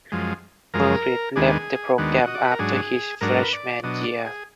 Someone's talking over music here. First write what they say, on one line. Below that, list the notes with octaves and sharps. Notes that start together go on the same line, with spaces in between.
Merritt left the program after his freshman year.
F#2 F3 G#3
F#2 F3 G#3 A#4
D#2 D#3 G#3 B3 D4 G#4
D#2 D#3 G#3 B3 D4 F#4
D#5
D5
B4
A#4
G#2 F#3 D4 G#4
G#2 F#3 D4 A#4
B4
D5
B2 F#3 D4 D#5
D5
G#4